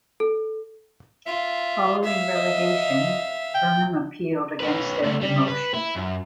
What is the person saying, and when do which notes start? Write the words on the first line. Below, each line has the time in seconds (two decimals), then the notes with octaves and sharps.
Following relegation, Burnham appealed against their demotion.
0.20 A4
1.27 F4 E5
2.04 E5 F5
2.35 D#5
3.55 G5
4.60 C#4 B4
5.04 G3 A3
5.21 G3
5.48 B4
5.74 E4
5.97 F#2